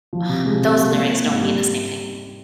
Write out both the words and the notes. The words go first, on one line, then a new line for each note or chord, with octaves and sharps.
Um, those lyrics don't mean the same thing.
F3
C3
G#3
C3
A#3
A#3
A#3
G#2
G3